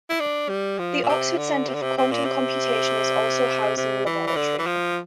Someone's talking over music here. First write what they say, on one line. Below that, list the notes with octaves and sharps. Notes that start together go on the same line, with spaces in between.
The Oxford Centre for Quantum Computation is also housed in the laboratory.
E4
D4
G3
F3
A#2
C3
D3
C3
D3
C3
C3
A#2
C3
C3
E3
E3
D3
E3
F3